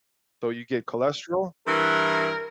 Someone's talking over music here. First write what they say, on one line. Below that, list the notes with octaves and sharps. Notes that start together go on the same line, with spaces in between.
So, you get cholesterol
G2 E3 A#4